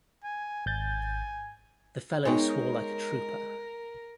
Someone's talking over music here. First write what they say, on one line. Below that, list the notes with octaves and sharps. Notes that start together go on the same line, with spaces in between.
The fellow swore like a trooper.
G#5
G#1 G#5 G6 A6
G#3 B3 D#4 A#4 C#5 G5 G#5